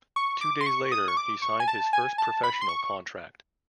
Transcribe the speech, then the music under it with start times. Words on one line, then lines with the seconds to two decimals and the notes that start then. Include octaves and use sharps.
Two days later he signed his first professional contract.
0.16 C#6
0.41 D6
0.61 C6
0.66 C#6
0.92 D#6
1.08 C#6
1.17 D6
1.42 C#6
1.60 G#5
1.68 A5
1.93 G#5
2.18 A5
2.43 B5
2.62 C6
2.69 C#6